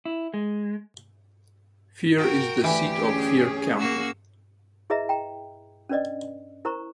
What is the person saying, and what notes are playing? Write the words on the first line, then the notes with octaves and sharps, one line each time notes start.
Fier is the seat of Fier County.
E4
G#3
F#4 A#4 G5
D2 E3 G4
C#4 G#4
A#3 F#4 E6
E4 G#4 B4 D#5 E5 A#5
G5 A#5
C#4 D4 B4 D5 D#5
E4 A#4 C5 A#5 C#6